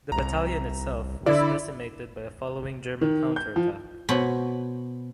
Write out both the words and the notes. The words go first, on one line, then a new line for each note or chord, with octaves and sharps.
The battalion itself was decimated by a following German counterattack.
C2 A#5
D3 E4 D5
D#3
G6
F3
B2 B3 C5 C#5 B5